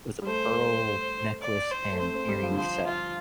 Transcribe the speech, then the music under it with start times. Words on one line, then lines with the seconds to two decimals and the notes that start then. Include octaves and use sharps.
it was a pearl necklace and earring set.
0.22 G3
0.27 A3 C5
1.42 D5
1.71 C5
1.92 A3
1.99 C4 C5
2.14 C4
2.28 G3
2.43 F3
2.51 D3
2.57 F3 C5
2.86 F4